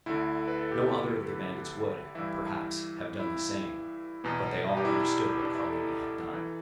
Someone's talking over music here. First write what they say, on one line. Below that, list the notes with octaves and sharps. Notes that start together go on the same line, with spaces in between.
No other of the bandits would, perhaps, have done the same; but they all understood what Carlini had done.
D2 D3 E4
B4
A4
G4
G4
G2 E3 E4
E4
E2 B2 B3
G4
E4
D4
E4
G4
D4
E4
A4
E3